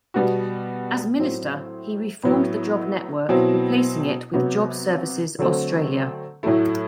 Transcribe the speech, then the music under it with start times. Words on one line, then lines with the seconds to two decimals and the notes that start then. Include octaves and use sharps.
As Minister he reformed the Job Network, replacing it with Job Services Australia.
0.14 B2 G3 B3 F#4
1.19 A2 F#3 C4
2.23 A2 F#3 B3 E4
3.29 B2 F#3 C4 E4
4.33 C3 F#3 B3 F#4
5.39 D3 F#3 A3 C4
6.43 A2 F#3 A3 E4